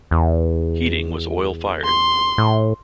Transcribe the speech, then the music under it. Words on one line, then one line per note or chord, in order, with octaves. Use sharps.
Heating was oil fired.
E2
C6
A2